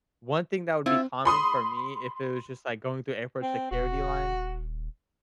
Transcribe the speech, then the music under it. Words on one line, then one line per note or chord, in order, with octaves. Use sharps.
one thing that would be calming for me if it was just, like, going through airport security line
C4 E4 F4
B5 C6 D#6
C4
D#1 F#4